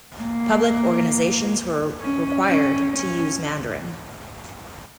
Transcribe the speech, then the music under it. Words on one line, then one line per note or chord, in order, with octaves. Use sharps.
Public organizations were required to use Mandarin.
A#3
C#4
C#4
C#4